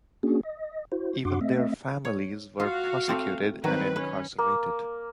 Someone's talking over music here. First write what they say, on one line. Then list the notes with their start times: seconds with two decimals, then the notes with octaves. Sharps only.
Even their families were prosecuted and incarcerated.
0.23 A#3 C#4 D4 F#4 G#4
0.43 D#5
0.92 E4 F#4 C5
1.25 F#2 D4 F#4 F#5 C6 D6
1.41 A3 C4 D#5 E5
2.05 C#5
2.60 F4 F#4 F5
3.08 A3 C4 D5
3.64 D#3 F#3 C4 B4
3.96 C#4 B4
4.38 A#3